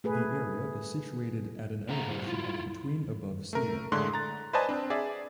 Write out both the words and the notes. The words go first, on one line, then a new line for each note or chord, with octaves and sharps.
The area is situated at an elevation of between above sea level.
A3 G#4 B4
A#2 A3 B3 D4 E5 A#5
G3 E4 G#4 C5
E4 F4
A3 A#4
A2 D3 G#3 C6 F#6
A#5 A6
B4 C5 D5 D#5 G#5 A5
C4 D4
G#4 D5 E5